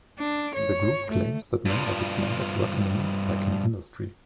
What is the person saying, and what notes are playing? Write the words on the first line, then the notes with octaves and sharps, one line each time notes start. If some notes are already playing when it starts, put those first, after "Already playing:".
The group claims that many of its members work in the meat-packing industry.
D4
C#5
A3
G2 F3